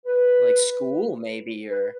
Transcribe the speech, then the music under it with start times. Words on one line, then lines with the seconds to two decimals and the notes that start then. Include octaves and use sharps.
Like, school maybe or
0.06 B4
1.71 B4